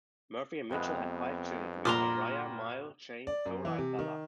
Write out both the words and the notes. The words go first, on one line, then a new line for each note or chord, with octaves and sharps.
Murphy and Mitchell had five children together: Bria, Myles, Shayne, Zola, and Bella.
F2 C3 G#3 B3
G2 A#2 G3 F#4 A#5 C6 D6
D5
F#2
E3
C3
D#3